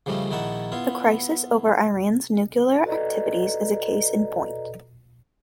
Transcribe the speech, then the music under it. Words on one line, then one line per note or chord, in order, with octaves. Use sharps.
The crisis over Iran's nuclear activities is a case in point.
C#3 F3 G3 A3 D#5
A#1 D#3 D#4 E4 F#5 A5
B3 E4 F4
F#4 A4 B4 D5 D#5 A#5